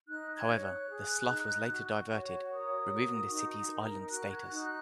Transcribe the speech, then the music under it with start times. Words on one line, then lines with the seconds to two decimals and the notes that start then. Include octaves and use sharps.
However, the slough was later diverted, removing the city's island status.
0.08 D#4 F#6
0.35 G#6
0.48 C#5
0.62 F#6
0.89 G#4
1.29 D#4
1.69 F#4
2.09 C#5
2.50 A#4 D#6
2.89 F#4
3.29 D#4
3.69 A#4
4.10 F#4 F#6
4.31 G#6
4.37 F#6
4.51 D#4
4.64 F#6